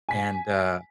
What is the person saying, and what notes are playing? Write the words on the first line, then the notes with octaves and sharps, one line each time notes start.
and, uh,
G#5 B6